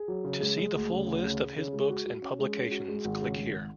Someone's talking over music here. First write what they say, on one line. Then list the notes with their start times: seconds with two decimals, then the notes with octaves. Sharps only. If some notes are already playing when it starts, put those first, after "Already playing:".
To see the full list of his books and publications click here.
Already playing: G#4
0.08 F#3
0.24 C#3
0.41 G#3
0.58 G#3
0.74 D2
0.90 C#3
1.07 D2
1.24 C#3
1.40 C#3
1.57 C#3
1.73 G#3
1.90 F#4
2.06 F#4
2.22 C#4
2.39 G#3
2.55 C#4
2.71 F#4
2.88 G#3
3.05 G#1
3.21 C#3
3.38 G#1